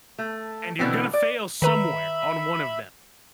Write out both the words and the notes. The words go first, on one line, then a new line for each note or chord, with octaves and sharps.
And you're gonna fail somewhere on one of them.
A3
B2 D3 E3 B3 C4
D5
D#3 B4 E5 A#5 B5